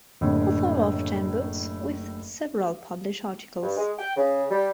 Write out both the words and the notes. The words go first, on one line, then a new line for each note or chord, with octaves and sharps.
Author of ten books with several published articles.
F#1 A2 D3
G2
G#3
G5
C#3
G3